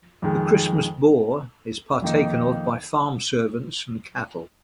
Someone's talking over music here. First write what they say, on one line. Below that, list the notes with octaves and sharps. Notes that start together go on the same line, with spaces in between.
The Christmas Boar is partaken of by farm-servants and cattle.
F2 D#3 G#3
F2 D#3 A#3 D#4